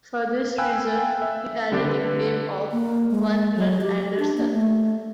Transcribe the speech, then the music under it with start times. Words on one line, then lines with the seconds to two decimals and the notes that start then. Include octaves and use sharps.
For this reason, he had a nickname of "One Run Anderson".
0.58 F5 G5 G#5 B5 E6 F#6
1.22 E5
1.72 D3 G3 C4 D4 G4
1.85 D3 B4
2.71 A#3
3.11 G#3
3.56 F#3
3.82 G4
4.19 D4
4.37 A#3
4.52 A3